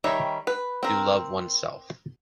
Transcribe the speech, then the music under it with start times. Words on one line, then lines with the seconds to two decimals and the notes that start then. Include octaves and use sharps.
To love oneself.
0.04 D#3 G3 C#5 E5
0.47 B4
0.83 C4 A#4